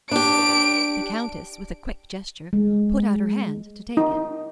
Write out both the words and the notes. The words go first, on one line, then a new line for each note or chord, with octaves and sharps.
The Countess, with a quick gesture, put out her hand to take it.
D4 G4 D7
G#3
D#4